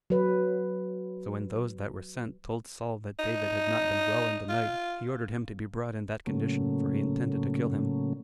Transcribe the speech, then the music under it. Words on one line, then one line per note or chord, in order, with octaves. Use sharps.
So when those that were sent told Saul that David had not been well in the night he ordered him to be brought in that condition, for he intended to kill him.
F#3 B4
D#4
F4
A2 C#3 F#3 A3 A#3 C#4